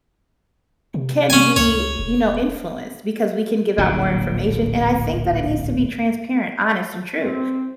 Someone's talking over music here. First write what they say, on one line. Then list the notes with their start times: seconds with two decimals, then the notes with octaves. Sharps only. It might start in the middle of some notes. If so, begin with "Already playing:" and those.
can be, you know, influenced because we can give out more information, and I think that it needs to be transparent, honest, and true.
0.94 C3
1.30 C#4 G#5
1.56 C#2 C#5
1.99 E1
3.78 D1 A#1 A#2 F#3
7.21 C4